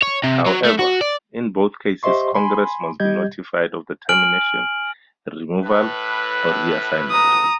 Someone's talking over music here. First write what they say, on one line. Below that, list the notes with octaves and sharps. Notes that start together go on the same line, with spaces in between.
However, in both cases Congress must be notified of the termination, removal, or reassignment.
C#5
C3
F#3
A3
F#4
D5
G4 C5 D#5 E5 C6 C#6
G#5 B5 C6
G3 G4 D#5 G6 G#6
G#5 F6 D7 F#7
A2 B4
A#5 D#6